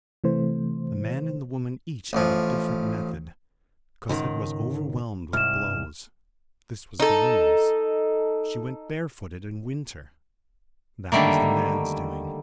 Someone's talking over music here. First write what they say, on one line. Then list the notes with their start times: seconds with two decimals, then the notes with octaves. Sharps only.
The man and the woman each had a different method: Cosette was overwhelmed with blows--this was the woman's; she went barefooted in winter--that was the man's doing.
0.24 C3 E3 A3 C5
2.13 A1 F3
4.09 C#2 G#2 D#3
5.33 C2 G#2 F6 E7
7.00 D#4 A4
11.12 D3 D#3 G3 A3 A#3